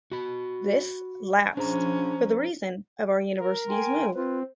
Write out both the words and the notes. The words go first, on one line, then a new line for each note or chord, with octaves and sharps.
This lapsed for the reason of our university's move.
F#4 B5
F3 C#4 D4 G#4 C5 A#5
A#4
G5 G#5 C6
C4 F4 B4